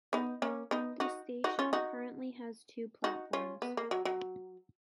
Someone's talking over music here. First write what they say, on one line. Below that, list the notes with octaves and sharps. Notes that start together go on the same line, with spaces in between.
The station currently has two platforms.
B3 D#4
A#3 C#4
B3 D#4
D#4 F#4
D#4 F#4
C#4 F4
D#4 F#4
D#4 F#4
C#4 F4
B3
A#3
F#3
F#3